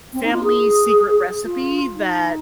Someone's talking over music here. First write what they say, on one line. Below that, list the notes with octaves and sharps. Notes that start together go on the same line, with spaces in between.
family secret recipe that
C4
D#4
F4
G#4
F4
D#4